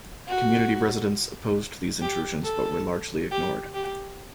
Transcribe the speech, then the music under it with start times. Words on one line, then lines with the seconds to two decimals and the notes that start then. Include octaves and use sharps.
Community residents opposed these intrusions but were largely ignored.
0.28 F#4
2.02 G4
2.44 A4
3.32 G4
3.74 G4